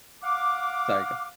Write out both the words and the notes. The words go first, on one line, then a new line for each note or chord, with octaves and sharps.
Sorry, go ah
F5 F#5 D6